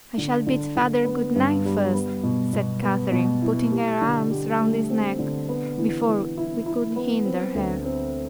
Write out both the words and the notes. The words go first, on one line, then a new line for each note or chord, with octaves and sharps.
'I shall bid father good-night first,' said Catherine, putting her arms round his neck, before we could hinder her.
D3
D3
D3
B3
G2
G3
B3
B2
B2
B3
B2
E4
G4
D3
G4
A3
C4
D3
B3
E3
E3
E4
E4
B3
C4
D2
C4